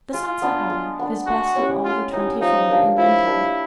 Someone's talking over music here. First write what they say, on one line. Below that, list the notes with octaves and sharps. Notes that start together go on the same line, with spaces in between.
The sunset hour is best of all the twenty-four in Nantucket.
G#3 F4
B3 D4
G#3
B3 D4
G#3 F#4
C#4 E4 G4
G#3 F4
C#4 D#4 E4 G4
F3 D#4
A#3 D4 G4
F3 E4
A#3 D4 G4